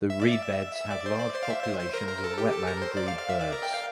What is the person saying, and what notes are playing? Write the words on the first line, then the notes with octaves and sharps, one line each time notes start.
The reed beds have large populations of wetland breed birds.
E5
D5
E5
E5
D5
C5
D5
C5
F5
E5
C5
C5
A#4
A#4
A4
G4
A4
A#4
C5
D5
F5
F5
E5
D5
A#4
G5
F5